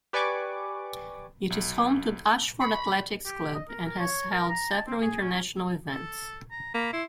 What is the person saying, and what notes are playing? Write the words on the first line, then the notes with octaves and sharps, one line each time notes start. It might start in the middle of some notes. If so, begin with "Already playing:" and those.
It is home to Ashford Athletics Club, and has held several international events.
G4 B4 D5 G#5 C#6 D6
B1
B5 C#6 C7 C#7
G4
D#5
A#4
A#4
C#5
A#4
A#5
A5
C4
G#4
C#4
A4
A#5
A#3 B5
E4 C6